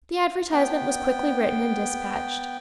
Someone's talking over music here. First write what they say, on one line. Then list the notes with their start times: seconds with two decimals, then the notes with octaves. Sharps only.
The advertisement was quickly written and despatched.
0.52 B3 G5